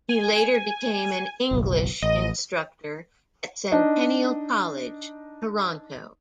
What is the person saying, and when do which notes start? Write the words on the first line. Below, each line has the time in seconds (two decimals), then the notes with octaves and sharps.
He later became an English instructor at Centennial College, Toronto.
0.09 G#5
1.51 F#1 B1
2.02 A1 D#5
3.72 D4 D#4 D#5